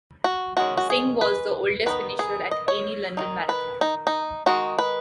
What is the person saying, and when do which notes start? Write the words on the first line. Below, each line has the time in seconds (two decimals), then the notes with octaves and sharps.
Singh was the oldest finisher at any London Marathon.
0.24 F#4
0.57 D#3 G#3 C#4 F#4
0.77 F#4
0.90 G#4
1.21 B4
1.86 D#3 B3 D#4 B4
2.19 G#4
2.51 D#5
2.68 C#5
3.17 D#3 F#3 D#4
3.49 B4
3.81 D#4
4.07 D#4
4.46 D#3 G#3 D#4 F#4
4.79 B4